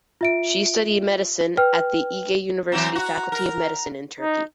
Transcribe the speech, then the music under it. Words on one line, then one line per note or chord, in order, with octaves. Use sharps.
She studied medicine at the Ege University Faculty of Medicine in Turkey.
F4 E5 D7
B4 G5 F6
E3 F#3 C4 A#5
F#4
A#4
D#4